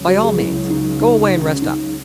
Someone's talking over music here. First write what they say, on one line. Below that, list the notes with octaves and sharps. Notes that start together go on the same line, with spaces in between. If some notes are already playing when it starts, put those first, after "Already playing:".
By all means, go away and rest up.
Already playing: C#2 C#3 F#3
F#4
G#4
E4
D#4
D#4
D#4
C#4
D#4